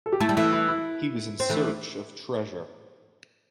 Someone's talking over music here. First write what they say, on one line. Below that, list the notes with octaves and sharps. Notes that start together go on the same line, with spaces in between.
He was in search of treasure.
A4
G4
A3 E4
G3
E3 A3 E4
E4
E4
C4
E3 A3